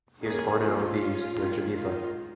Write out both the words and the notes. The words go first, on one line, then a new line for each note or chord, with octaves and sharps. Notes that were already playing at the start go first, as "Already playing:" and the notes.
He was born in Eaux-Vives near Geneva.
D#3 A#3 C#4 G#4
F3 A#3 C#4 F4
G#3
C#4
D#3 G#3 C#4
D#3 G#3 D#4 F4